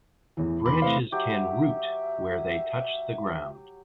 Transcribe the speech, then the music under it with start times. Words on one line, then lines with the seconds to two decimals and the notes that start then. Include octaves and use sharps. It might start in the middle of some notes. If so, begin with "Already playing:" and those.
Branches can root where they touch the ground.
0.37 E2 A2 E3
0.66 E2 B5 C6 D6
0.82 C3 E3 A3 B4 C5 F5
1.12 F#3 G4 E5